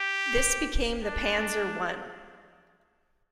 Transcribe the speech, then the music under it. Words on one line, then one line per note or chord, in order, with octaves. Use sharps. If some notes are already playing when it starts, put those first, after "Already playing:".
This became the Panzer One.
Already playing: G4
D4